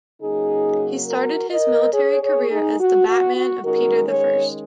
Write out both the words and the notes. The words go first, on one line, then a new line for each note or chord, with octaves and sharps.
He started his military career as the batman of Peter the First.
C#3 F#3 A#3 D#4 G#4
F#4 A#4
A#4 D#5
G#4 C#5
G#4 C#5
D#4 G#4
F#4
F#4
F#4
D#3 G#3 C#4 F#4 A#4
G#4 C#5